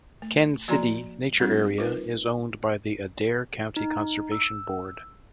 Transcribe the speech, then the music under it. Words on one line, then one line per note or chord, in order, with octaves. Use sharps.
Ken Sidey Nature Area is owned by the Adair County Conservation Board.
A3
F3 A#3 F#4 D5 A#5 C6
G3 C4 D4 F#4
D#4 F4 A#4 B4
D#4
E6